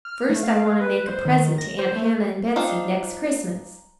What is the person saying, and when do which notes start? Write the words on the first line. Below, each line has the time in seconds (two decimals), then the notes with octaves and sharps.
"First, I want to make a present to Aunt Hannah and Betsey, next Christmas."
0.05 F6
0.29 A3
0.43 F5
0.81 B4
1.07 C5
1.25 D#3
1.58 A#6
1.79 C5
1.96 A3
2.56 C4 D4 D#4 F4